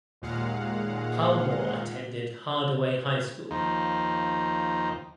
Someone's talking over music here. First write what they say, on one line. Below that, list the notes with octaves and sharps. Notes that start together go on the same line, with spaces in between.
Palmore attended Hardaway High School.
D#2 A#2 G#3 F5 F#5
D#2 F3 D#4